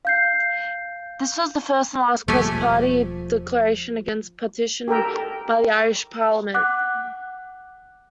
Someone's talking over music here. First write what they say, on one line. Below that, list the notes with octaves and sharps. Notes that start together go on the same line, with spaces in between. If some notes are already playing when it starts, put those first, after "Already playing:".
This was the first and last cross-party declaration against partition by the Irish parliament.
F5 G6 C7
E1 F3 G3 A3 A#3 G4 G#5
G4 A4 A#4 G5
F#5 D6 F#6